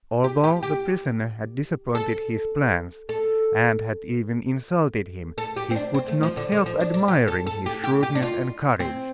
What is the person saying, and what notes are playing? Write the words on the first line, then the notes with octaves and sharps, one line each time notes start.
Although the prisoner had disappointed his plans, and had even insulted him, he could not help admiring his shrewdness and courage.
G4
G4
G4
A4
A4
A4
G4
C4
D4
C4
A3
F3
D3
D3
F3
D4
D4
G4
A4
A4
G4
G4
G4
D4
F4
C4